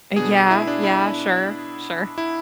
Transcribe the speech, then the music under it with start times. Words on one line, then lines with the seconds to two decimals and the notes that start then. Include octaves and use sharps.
Eh, yeah, yeah. Sure, sure.
0.16 B2 B3 D4 G#4
0.33 G#4
0.51 E4
0.67 D4
0.83 E4
2.18 E4